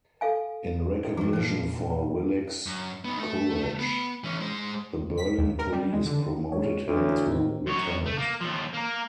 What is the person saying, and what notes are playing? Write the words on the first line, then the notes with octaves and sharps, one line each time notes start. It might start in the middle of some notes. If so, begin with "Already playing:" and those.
In recognition for Willig's courage, the Berlin Police promoted him to Lieutenant.
A4 F5 G#5
G2 F#3 G#4
A#2 F3 C#4
F#2
B3 D#4
A3
B3
E3 C#4
G#3 C5
B6
D#2
A#4
G3
G#3
D3
G#3 C#5
D2 E3
A2 D#3 C4
F#2 C#5
A3
A#3
D#2 F3
A#3 A#4